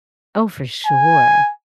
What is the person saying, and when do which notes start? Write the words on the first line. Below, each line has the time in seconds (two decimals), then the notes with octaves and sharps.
Oh, for sure.
0.86 G#5